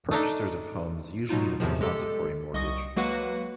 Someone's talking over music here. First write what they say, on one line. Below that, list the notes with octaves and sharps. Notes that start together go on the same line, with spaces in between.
Purchasers of homes usually need a deposit for a mortgage.
A3 D4 D#4 A4
B2 F#3 D#4 F4
E2 A2 C3 D#3 F3
G#3 G4 A4
C2 D#5 C#6 D#6 A#6
F#3 G#3 A#3 F#4 B4 F#5